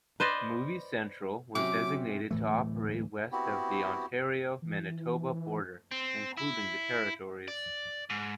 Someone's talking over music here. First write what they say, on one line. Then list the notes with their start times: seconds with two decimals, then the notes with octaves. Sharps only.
Movie Central was designated to operate west of the Ontario-Manitoba border, including the territories.
0.20 B4 C5 D5 D#5
1.55 C3 F#3 C#4 G4 D6
2.31 D1 A2 E3 A3
3.32 B3 C4 E4 F#4 G4
4.62 E3
5.91 C4
6.37 E4
7.48 D5
8.10 G#2